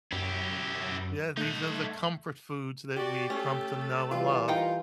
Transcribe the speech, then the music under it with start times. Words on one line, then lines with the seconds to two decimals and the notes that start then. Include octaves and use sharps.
Yeah, these are the comfort foods that we've come to know and love.
0.12 F#2 E4 G4
1.37 A3 D#4 F#5
2.97 F#4 G4 D5
3.30 A3 C#4 A4
4.11 E3 G3 F4
4.48 D#4 F4 A#4 G5